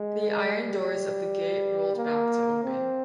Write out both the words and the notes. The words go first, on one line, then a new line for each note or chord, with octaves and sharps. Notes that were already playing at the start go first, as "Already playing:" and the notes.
The iron doors of the Gate rolled back to open.
Already playing: G#3
G3
A#3
C4